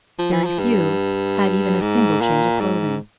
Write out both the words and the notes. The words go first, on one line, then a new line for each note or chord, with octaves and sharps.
Very few had even a single change of clothing.
F3
E3
F3
G2
G#2
A#2
G#2